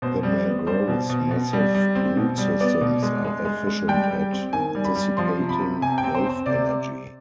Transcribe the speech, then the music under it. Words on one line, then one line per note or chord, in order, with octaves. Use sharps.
The mangroves' massive root systems are efficient at dissipating wave energy.
B2 C5
G3
B3
G3 C5
B2
B2
B2
G3
G3
C4
B2
G3
B3 D5
B2
G#3
G#3
G#3
G#3
G3 G5
G3
C4
D#3 G#5
G3
B5
G3
F3 C6
C3
B5
C4
C3 G#5
G5
C4
C5
C4 C5
C3 D5